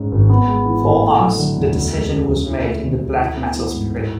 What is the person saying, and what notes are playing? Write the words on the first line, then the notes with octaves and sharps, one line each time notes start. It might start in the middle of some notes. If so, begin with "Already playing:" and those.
For us, the decision was made in the black metal spirit.
Already playing: G#2 G#3 C#4
G#1
B3
G#3
E3
A2
A3
F#3
D3
E2
D2
G#3
C#3
D2
E4
A3
D3
D2
E4
B3
E3
G#2
A2